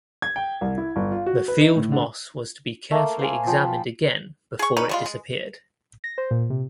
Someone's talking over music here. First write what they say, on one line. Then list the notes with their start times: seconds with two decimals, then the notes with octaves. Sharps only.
The field moss was to be carefully examined again before it disappeared.
0.22 G#6
0.36 G5
0.61 C2
0.78 E4
0.96 G1
1.12 F4
1.26 F#4
1.48 B4
1.61 D#4
1.76 A2
1.92 D3
2.91 A3 A#3
3.19 C5 F5 G#5
3.47 F3 G5 B5
4.59 G#4 C#6
4.77 C#4 D#4 B4
4.89 G3 G#3 F4
5.06 G#3
6.04 A#6
6.18 C5
6.31 A#2
6.50 C3